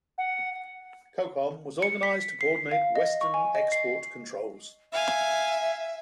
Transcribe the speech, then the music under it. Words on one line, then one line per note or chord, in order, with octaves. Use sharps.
CoCom was organized to coordinate Western export controls.
F#5
C#7
B6
C7
F5
D#5
C#6
G#5
D#5
C7
E5 F5 G#5